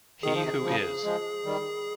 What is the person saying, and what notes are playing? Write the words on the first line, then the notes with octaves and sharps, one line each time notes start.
"He Who Is".
D#3 G#4
F3
C3 D#3
C#3 F3
F3 G#3
D#3 G3